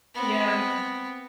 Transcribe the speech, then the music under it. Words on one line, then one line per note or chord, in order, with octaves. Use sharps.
Yeah, um
B3 C4